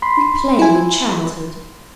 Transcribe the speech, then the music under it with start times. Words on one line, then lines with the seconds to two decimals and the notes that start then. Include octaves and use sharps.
We play with childhood.
0.02 B5 C6
0.59 E4 G#5